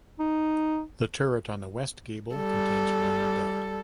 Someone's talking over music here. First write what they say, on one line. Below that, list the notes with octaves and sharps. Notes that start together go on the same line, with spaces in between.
The turret on the west gable contains one bell.
D#4
G3 A4